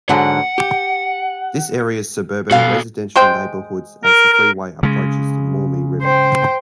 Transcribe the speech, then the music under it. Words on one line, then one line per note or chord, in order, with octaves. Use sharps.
This area is suburban residential neighborhoods as the freeway approaches the Maumee River.
G#2 D3 F#3 F#5
G4
B2 F#4 A4 F5
G#3 C5 G5
A#4
A#4
C#3 G#3
C5 G5